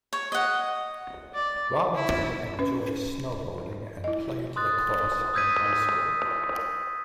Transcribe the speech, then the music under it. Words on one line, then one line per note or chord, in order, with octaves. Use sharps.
Robinson enjoys snowboarding and played lacrosse in high school.
C#5
D#5 F#5
D5
E4
C#4 B4
E4 D#5
C6 D#6 F#6 A6
D#6 E6 G6 G#6 B6 D#7